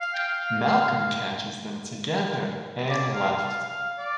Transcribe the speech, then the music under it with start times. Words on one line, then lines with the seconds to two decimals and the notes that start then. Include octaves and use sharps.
Malcolm catches them together and left.
0.01 F5
0.14 G5
0.28 F5
2.89 D5
3.14 F5
3.38 F5
3.63 F5
3.98 D5